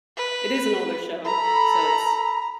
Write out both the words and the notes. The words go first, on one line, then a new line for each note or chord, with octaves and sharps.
It is an older show, so it's
B4
A4 A#5 B5